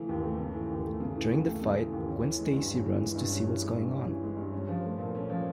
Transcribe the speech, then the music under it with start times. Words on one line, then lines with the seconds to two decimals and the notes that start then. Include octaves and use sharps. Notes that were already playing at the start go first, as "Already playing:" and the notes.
During the fight, Gwen Stacy runs to see what's going on.
Already playing: C#3 E3 A3
0.09 D#2
0.24 A3
0.40 C#3
0.54 E3
0.70 D#2
0.85 A3
1.00 C#3
1.15 E3
1.31 D#2
1.46 A3
1.62 C#3
1.77 E3
1.93 D#2
2.08 C#4
2.23 E3
2.39 G#3
2.53 G2
2.69 C#4
2.84 E3
2.99 G#3
3.16 G2
3.30 C#4
3.45 E3
3.61 G#3
3.77 G2
3.91 C#4
4.06 E3
4.23 G#3
4.37 G2
4.53 C#4
4.68 F3
4.84 A3
4.98 A#2
5.15 C#4
5.30 F3